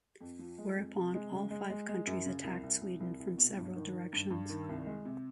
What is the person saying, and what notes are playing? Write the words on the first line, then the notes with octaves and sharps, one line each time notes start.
Whereupon all five countries attacked Sweden from several directions.
F2
F3
G#3
F2
C3
G#3
C#3
G#3
G#3
G#3
F#2
C#3
C2
C2
C2
C2
C2
B2
G2
D#3
D#3
G2
G2
D#3
C2
G#3
C3